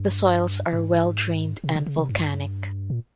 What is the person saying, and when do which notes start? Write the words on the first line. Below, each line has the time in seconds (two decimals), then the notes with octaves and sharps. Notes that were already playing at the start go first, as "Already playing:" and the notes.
The soils are well drained and volcanic.
Already playing: G2
0.73 G#2
1.64 C3
1.75 C#3
1.86 C#3
1.98 C3
2.09 G2
2.90 A#2